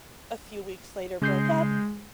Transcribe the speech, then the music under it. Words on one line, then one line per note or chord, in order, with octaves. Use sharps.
a few weeks later broke up.
C#3 G#3 G6 C7